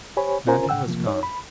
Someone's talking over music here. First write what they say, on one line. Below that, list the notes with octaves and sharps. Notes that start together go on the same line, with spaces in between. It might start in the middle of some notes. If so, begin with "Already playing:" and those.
Manton was gone.
G4 C5 C#5 G#5 B5
C#4 F4 A#4 C5 G#5 A#5
A2 D3 F#5 G5 E6
C3 F3 A#3
D#4 C#5
B5